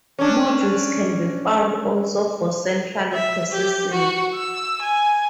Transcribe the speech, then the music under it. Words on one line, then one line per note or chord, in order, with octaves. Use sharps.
Modules can be found also for central processing.
C#4 D4
E5
G4
F#4
E6
G#5